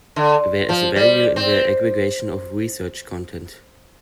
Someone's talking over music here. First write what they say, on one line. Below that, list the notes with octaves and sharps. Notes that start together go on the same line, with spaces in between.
There is value in the aggregation of research content.
D3
F3
G3
C4